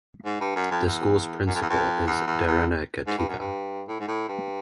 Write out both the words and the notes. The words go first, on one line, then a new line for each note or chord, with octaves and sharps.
The school's principal is Darena Gateva.
G#2
G2
F#2
F2
E2
F#2
F2
E2
F2
E2
E2
E2
G#2
G2
F#2
G2
A2
G#2
A2
G2